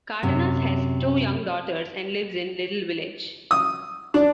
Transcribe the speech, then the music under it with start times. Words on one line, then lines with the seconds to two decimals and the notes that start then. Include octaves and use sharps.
Cardenas has two young daughters and lives in Little Village.
0.23 F#2 C3
3.51 D#6
4.14 D4